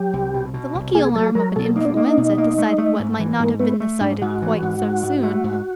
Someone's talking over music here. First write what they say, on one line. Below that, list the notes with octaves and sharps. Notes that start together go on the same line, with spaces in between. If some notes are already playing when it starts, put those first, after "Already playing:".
The lucky alarm of an influenza decided what might not have been decided quite so soon.
Already playing: F#3 G4
C2
B2
B2
C2
A#3 G#4
F#3 A4
F#3 A#4
B2 A4
A#3 D#4
D4
A#3 D#4
B2
A#3
A3
A3
G#2
E3
G#2 A#3
A3 B3
A3
G#2 D4
G#2 F#4
E3
G#2
G#2
G#2
A3
G#2